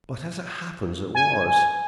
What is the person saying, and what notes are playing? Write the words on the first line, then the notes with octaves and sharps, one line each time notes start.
But as it happens, it was.
G#5